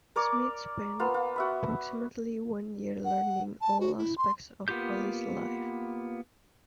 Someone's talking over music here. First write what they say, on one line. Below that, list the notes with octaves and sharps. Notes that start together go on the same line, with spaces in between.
Smith spent approximately one year learning all aspects of Ali's life.
A#4 C#5 D5 D6
A#3 B3 F4
F4
F#4 E5 B5
F#5
A5
F#4
E4
C6
A#3 B3 F4 G4 G6